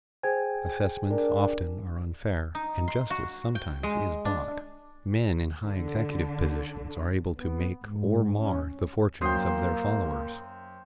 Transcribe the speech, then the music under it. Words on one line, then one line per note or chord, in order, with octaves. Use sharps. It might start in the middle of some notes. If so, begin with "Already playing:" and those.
Assessments often are unfair, and justice sometimes is bought. Men in high executive positions are able to make or mar the fortunes of their followers.
G#4 C5 G5 G#5 G#6
D4 A#4
D#4
C6
F#4
G5
G#3
D4
D3
B3
G#2
C#4
F#2 A#3 C5 G5 D#6 C7